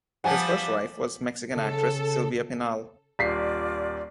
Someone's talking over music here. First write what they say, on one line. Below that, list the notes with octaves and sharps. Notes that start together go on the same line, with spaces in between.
His first wife was Mexican actress Silvia Pinal.
F3 G3 B3 F#5 G#5 A5
C#3 A4
D#1 F4 D5 B6 C7